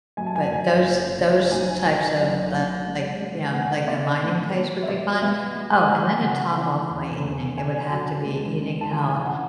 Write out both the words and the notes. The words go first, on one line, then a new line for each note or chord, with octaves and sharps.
but those those types of, uh, like you know, like, the mining place would be fun. Oh, and then to top off my evening, it would have to be eating out
F#2 G#5
A5
G#5
F#2
F#1
F#1
B1 G#5
B1
F#1
F#2
G#3
G#3
B3 F#5
B3 D5
A2
B3
E5
B2 D5
B3 E5
G#3
G#5
G#3 G#5
G#5
C#3 F#5
E3
E2
E2
D3 G#5
F#3
C#2
C#2
A5
E3 G#5
G#5
F#5